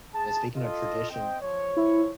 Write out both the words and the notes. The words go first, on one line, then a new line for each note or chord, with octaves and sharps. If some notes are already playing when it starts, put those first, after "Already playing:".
eh, speaking of tradition,
G#4 A5
F4 A4 D#5
C4 D#5 G5
F3 C#5
E4